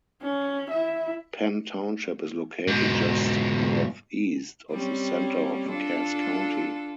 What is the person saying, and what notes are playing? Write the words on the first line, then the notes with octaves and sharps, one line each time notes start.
Penn Township is located just northeast of the center of Cass County.
C#4
E4 E5
G#2 B2
G3 C4 C#4
D4 F4 A4